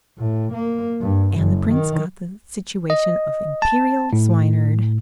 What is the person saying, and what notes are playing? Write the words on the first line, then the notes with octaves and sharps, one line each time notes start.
And the Prince got the situation of Imperial Swineherd.
A2
A#3
G2
F#1
D#3
D#5
A5
A2